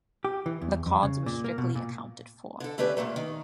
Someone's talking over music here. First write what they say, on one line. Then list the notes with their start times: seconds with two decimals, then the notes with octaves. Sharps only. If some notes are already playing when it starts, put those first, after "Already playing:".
The cards were strictly accounted for.
0.25 G4
0.46 E3
0.62 E2
0.86 F2
1.03 C#3
1.26 A#2
1.44 A#3
1.58 B2
1.75 A#2
2.60 D3 A4
2.78 D3 A3 C#4 G4 B4 D5
2.97 A#2 F3 A3 A#3
3.16 D#3